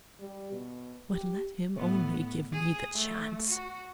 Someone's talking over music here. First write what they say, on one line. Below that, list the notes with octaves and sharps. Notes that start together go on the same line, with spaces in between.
But let him only give me the chance!
G3
B2
G4
A2 B3
G#4
A3
F#4